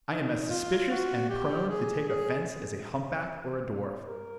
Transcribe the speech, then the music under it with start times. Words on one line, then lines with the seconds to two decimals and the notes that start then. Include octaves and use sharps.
I am as suspicious and prone to take offence as a humpback or a dwarf.
0.10 D#4
0.50 F4
0.90 F#4
1.29 G4
1.69 G#4
2.08 G#4
4.06 A#4